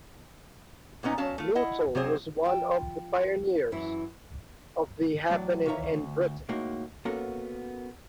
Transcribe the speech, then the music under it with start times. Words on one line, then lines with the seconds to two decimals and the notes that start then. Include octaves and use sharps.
Nuttall was one of the pioneers of the happening in Britain.
1.03 A#2 B3 C#4 D#4
1.18 F#3 C#4 F5 A5
1.38 A3 F4
1.55 E4 D#5 F#5
1.95 C3 F#3 G#4 C5
2.45 F3 G5 A5
3.72 F#2 E3 E4
5.30 E2 A2 F#3 D5
5.66 D#3 E3 F4 C#5 E5 A#5
5.94 D2
6.49 A2 G#3 A#3 D#4 F#4
7.05 A#3 B3 C#4 F#4 A4 A#4